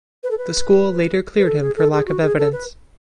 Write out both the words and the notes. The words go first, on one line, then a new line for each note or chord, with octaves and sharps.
The school later cleared him for lack of evidence.
B4
A4
B4
B4
A4
G#4
A4
G#4
F#4
G#4
A4
B4